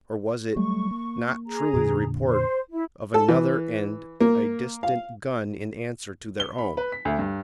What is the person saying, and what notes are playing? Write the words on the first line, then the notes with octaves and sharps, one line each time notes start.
Or was it not truly the report of another and a distant gun in answer to their own?
F#3 G3 A3 C#6
A#3
G#4 A#5
F2 A#2 D3
C5
E4
A4
E3
A#3
F5
G7
B5
B4
B6
D2
G2